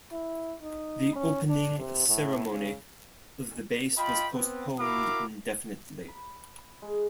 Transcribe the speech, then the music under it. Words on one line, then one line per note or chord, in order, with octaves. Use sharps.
The opening ceremony of the base was postponed indefinitely.
E4
D#4
C#4
D4
C3
A2
C#3
F4 D#5 G5 B5
B3 C4 B4
E4 F#4 A#4 F5 B5 D6
B5
G#3